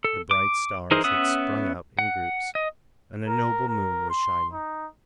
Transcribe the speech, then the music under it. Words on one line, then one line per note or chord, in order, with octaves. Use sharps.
The bright stars had sprung out in groups, and a noble moon was shining.
A4
D6
E3 D#4 G#4 A#4 C5
B3 C#4 E5 F#5 D#6
F#5
D#5
A#4
A#4
C6
D#4